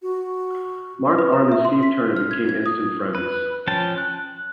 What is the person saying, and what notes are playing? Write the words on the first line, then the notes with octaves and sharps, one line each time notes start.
Mark Arm and Steve Turner became instant friends.
F#4
B4
A#5
E5
C6
B6
F6
G#6
G#6
D#6
B4
F3 C#4 G5 A5
F#6